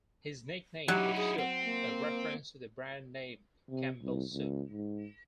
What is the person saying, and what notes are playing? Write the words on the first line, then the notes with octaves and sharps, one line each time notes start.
His nickname is "Soup", a reference to the brand name Campbell's Soup.
F#3 D#4 E4 G4
G#4
C4 F#5
A#3
C3
C2
C#2
G#2